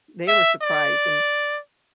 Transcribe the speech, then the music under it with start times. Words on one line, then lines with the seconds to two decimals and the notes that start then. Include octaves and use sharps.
they were surprised, and
0.28 E5
0.62 D5